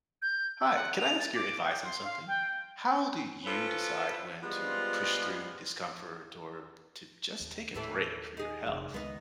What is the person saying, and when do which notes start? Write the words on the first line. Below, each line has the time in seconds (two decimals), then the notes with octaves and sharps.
Hi, can I ask your advice on something? How do you decide when to push through discomfort, or to just take a break for your health?
0.22 G6
0.60 E6
0.74 F#5
0.98 F7
1.20 A6
1.35 D6
1.64 G5
1.84 C6
2.05 F5
2.27 G5
3.45 F3 C#4 F4 A4 B4
4.42 F3 G3 G#3 B3 F4
7.40 D#2
7.74 D#2 A2 E3 A3
8.37 D#4 G#4
8.67 F1 D4
8.94 C#2 D#3 B3 D#4